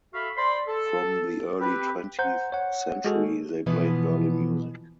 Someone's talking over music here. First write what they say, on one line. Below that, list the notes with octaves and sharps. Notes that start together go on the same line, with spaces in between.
From the early twentieth century they played early music.
F#4 A4 E5 F5 B5 C#6
C5 D5 B5 C6
A4
C4 G4 B4
C5 F#5 A#5 G6
C#5 F#5
G#3 F#4 G#4 A4
B2 E3 F3 B3